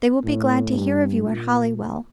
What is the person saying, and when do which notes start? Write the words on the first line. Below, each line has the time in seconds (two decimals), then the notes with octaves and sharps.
They will be glad to hear of you at Hollywell.
0.24 A2
0.73 G2
1.23 A#2